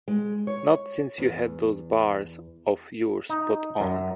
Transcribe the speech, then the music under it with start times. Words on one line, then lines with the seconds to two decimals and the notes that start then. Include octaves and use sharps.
Not since you had those bars of yours put on.
0.08 G#3
0.47 C#5
1.18 E2
3.30 D#4
3.80 F#2